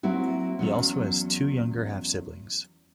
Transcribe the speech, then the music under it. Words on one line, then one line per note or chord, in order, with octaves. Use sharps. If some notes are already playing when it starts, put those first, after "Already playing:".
He also has two younger half-siblings.
F#3 A#3 C4 E4 F#4
E2 F#3 C#4